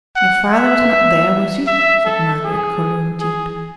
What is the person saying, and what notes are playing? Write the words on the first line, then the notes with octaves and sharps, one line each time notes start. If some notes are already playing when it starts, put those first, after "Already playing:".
'Your father was not there, was he?' said Margaret, colouring deep.
F#5
E5
E5
A4
G#4
G#4